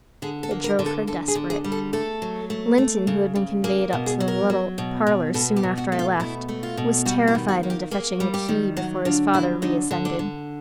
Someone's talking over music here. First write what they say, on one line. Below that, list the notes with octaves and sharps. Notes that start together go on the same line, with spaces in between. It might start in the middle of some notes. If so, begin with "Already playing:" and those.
It drove her desperate. Linton who had been conveyed up to the little parlour soon after I left, was terrified into fetching the key before his father re-ascended.
D3 G#4
A4
A#3
A#4
D3
A4
D3 A4
G#4
D3
G#4
G3
A4
A3 A4
F#3
A3
A3
C#3
C#3
A#3 G#4
B2
G#4
F#3
A#4
F#3
B2
B2
B2 A4
G4
B2
F#4
A3
F4
B2 E4
A3
F4
B2
G3 F#4
E4
D#3
F#4
A#3
G4
A#3 G#4
G3
G4
D#3
F#3 F#4
D3 F4
F#3 E4
D3 D#4
D3
D4
D3